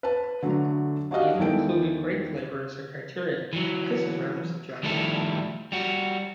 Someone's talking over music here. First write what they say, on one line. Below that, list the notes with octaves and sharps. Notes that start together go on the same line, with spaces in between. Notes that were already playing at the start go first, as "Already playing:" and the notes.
He even included grape flavour as a criterion, but this is rather subjective.
B4 A5
D3 F#3 A3
D4 F#4 G4 D#5 F5
E2 D#3 E3 A4 G5 D7
E3 F#3
D#3 F3 G3 A3 E4 A4
G3 F#4